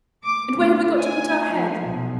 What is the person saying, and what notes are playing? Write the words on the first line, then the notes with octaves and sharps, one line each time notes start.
And where have we got to put our heads?
D6
D2
G#5
F3
B1